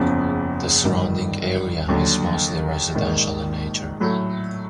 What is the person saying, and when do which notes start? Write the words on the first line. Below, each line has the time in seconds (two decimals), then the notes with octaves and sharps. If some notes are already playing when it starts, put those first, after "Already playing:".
The surrounding area is mostly residential in nature.
Already playing: F#1 E2 C#3 F3
0.84 G1 G2 D#3
1.88 D#2 D3 F#3
2.95 A#1 G#2 D#3
4.00 A2 F#3 A3